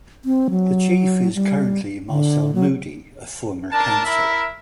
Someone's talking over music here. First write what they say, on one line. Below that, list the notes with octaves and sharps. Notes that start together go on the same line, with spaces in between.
The Chief is currently Marcel Moody, a former Councillor.
C4
F#3
G3
D3
F#3
D4 A#4 A5
E4 A#4 E5